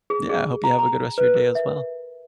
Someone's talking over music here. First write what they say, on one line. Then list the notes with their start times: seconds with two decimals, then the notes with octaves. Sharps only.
Yeah. I hope you have a good rest of your day as well.
0.10 G#4
0.30 G#4
0.64 A#5
0.79 A#5
1.18 B4
1.35 A#4
1.55 E5